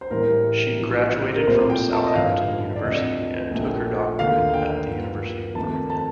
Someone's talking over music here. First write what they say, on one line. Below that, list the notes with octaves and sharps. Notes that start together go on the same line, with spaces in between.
She graduated from Southampton University and took her doctorate at the University of Birmingham.
C5
A1 A2 G3 A#4
A#1 A2 F3 A#3
A#4
C2 A#2 F3 A3 C5
G5
A5
D#5
A1 G2 D3 F3 F5
D5
D2 C3 F3 D#5
A#1 A#2 A3
D#2 D3 A3 F5
G5
G2 F3 A#3
F2 D#3 A3 A5
A5